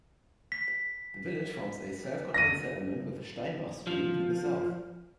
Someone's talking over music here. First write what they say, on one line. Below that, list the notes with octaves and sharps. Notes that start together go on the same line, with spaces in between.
The village forms a self-contained settlement with the Steinbach stream to the south.
B6
A#6 D#7
F3